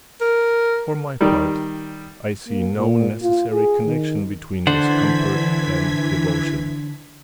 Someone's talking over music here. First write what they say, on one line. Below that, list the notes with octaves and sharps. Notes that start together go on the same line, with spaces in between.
For my part, I see no necessary connection between discomfort and devotion.
A#4
D#3 G3
A#3
A#2
F4
G#4
D#3
D3 E3 D4 C5 F#5 G#6 B6